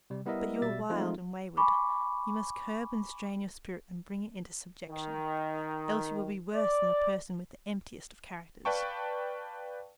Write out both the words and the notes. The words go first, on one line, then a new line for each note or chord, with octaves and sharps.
But you are wild and wayward, you must curb and strain your spirit and bring it into subjection, else you will be worse than a person with the emptiest of characters.
C3 G3
G3 B3 E4 A#4 D#5 E5
B2 G3 E5 A6
F3 G#3 A3 C4 D#4 F4
G#5 B5 C#6 D6
D#3
D5
B4 D5 F5 G5 A5 C#6